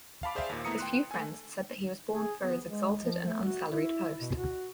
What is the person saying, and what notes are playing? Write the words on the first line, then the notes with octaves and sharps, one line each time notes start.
His few friends said that he was born for his exalted and unsalaried post.
F5 A5 B5 D6
G#4 C5 D5 E5 F5
D#2 A#2
A3 B3 E4 A#5 D#6 C#7
G5 C6 F#6
A3 G#5
G#4
B3
G#3
F3
A3
F#4
E4
B2
F#4